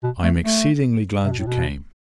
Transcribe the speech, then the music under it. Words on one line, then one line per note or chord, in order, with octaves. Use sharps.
I am exceedingly glad you came.
B2
A3
A3
C3
B2
A2
B2